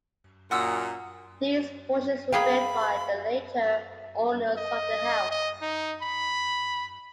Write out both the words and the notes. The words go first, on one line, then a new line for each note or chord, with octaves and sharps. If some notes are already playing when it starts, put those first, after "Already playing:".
These portions were built by the later owners of the house.
F#2 A#2 F#5 D#6 E6
A#3 G#4 E5 F5 G5 B5
D#5
D#5
D#4
B5